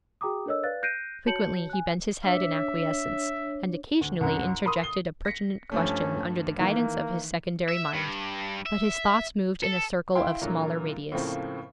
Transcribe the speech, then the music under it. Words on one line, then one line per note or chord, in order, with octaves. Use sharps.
Frequently he bent his head in acquiescence, and occasionally interjected a pertinent question under the guidance of his secondary mind; but his thoughts moved in a circle of smaller radius.
F#4 G#4 G5 A#5 D6 D#6
D4 A4 A#4 C#5 D#5 E6
B4 D5 F5 F#6 A6
F#6 G6 A#6 C7 D7 D#7
F#4 C#5 A5 G6 C#7 F#7
G#5 F#6
D4 C#5 E5
D2
C2 F#2
A#4 B5 C6 D#6
C7 G7
A#6 B6 C#7
G2 F3 A3 C#4
D#3 E3 A#3
E5
G2
E5
A4
E4 F5 G5 C6
A#2 D3 E3 F#3 A#3
A2 C#3 F3 A3 A#3 C4